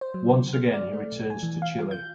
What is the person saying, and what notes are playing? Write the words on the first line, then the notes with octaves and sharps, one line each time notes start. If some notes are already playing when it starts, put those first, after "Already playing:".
Once again he returns to Chile.
C5
F#3
D3
F6
D5
A3
B1
G#5
E3
F5
F4
G6